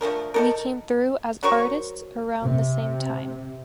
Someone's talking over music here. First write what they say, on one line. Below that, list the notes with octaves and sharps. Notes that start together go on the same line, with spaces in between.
We came through as artists around the same time.
F3 A3 D4 A#4
D#4 A4 A#4
F#3 A#4 C5 C#6
C3